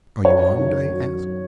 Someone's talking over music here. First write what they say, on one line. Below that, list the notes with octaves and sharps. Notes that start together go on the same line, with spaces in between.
"Are you armed?" I asked.
F#2 C#5
D#3
F#3